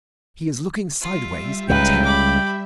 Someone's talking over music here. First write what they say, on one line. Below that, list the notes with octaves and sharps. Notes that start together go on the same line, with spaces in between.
He is looking sideways in terror.
G3 F4 E5
C#2 C#3 D#4 B4 G5
B5 D6